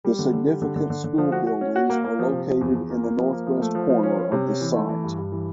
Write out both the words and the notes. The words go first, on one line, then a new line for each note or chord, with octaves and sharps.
The significant school buildings are located in the northwest corner of the site.
G3
D3
D3
G3
D3
D3
D3
D3
F3
F#4
F#4
C#4
F#4
A#3
A#3
F3
C3
F3
E2
E2
A#3
A#3
F3
A#3
F3
A3
F3
F3
C#4
C#4
C3
C#4
E3
A3
E3
G2
G2
E3